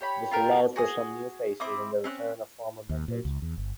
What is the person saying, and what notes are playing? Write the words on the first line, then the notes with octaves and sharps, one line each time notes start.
This allowed for some new faces, and the return of former members.
G4 C#5 B5
F4 G4 A#4
F#4 G#4 G#5 D#6
C4 E4 D6 D#6
C4 C#4 F#6
D#2
A#2
C#2
E2
G1